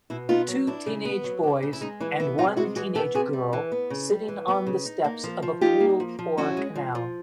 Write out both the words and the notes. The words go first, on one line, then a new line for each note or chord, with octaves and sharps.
Two teenage boys and one teenage girl sitting on the steps of a pool or canal.
B2 E4
B3 D#4 F4
F#3
D4 E4
C#3
B3
F#3
D4
C#3
E4
G#3 D#4
E3 E4
B3 E4
C3 D#4 F4
G#3 E4 F#4
E3 F#4 G#4
B3 G4 A4
C3 F#4 G#4
G3
E3
B3
C#3
G3
E3
B3
C#3
D#4
A#3
F3
F3
D#4 F4 G4
A#3
F3
F3
C#4 E4 F#4
G#3
F3
F3